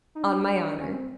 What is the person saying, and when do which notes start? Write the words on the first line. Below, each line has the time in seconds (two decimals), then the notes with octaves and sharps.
"On my honor."
0.15 D#4
0.23 D4
0.81 C#4
0.93 C4